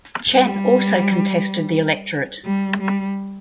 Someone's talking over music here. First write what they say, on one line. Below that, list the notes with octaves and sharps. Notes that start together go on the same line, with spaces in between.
Chen also contested the electorate.
G3
G3
G3